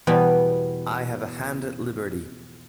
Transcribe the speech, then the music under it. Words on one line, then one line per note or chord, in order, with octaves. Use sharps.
I have a hand at liberty.
E2 B2 G3 B3